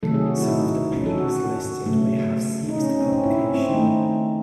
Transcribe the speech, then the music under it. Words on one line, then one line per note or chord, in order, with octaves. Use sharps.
Some of the papers listed may have ceased publication.
C3 D#3 F#3 A3 A4
G#4
F#4
E4
D#4
C#4
A4
F#4
F#4
C#3 F#3 A3
D#4
C#4
C#4
C4
C#4
E4
C#4
C4
D#3 A3 D#4